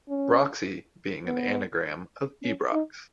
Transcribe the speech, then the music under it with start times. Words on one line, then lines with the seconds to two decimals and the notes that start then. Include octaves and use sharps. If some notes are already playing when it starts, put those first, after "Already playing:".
Broxi being an anagram of Ibrox.
0.09 C#4
1.26 B3
2.44 C#4
2.72 D#4